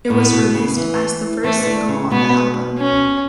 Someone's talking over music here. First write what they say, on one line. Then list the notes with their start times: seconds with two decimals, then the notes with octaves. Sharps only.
It was released as the first single on the album.
0.10 A2 B3
0.32 B2
0.54 C#3
0.77 E3
1.44 E3 A3
1.66 D3
1.88 C#3
2.11 B2 B3
2.78 C#4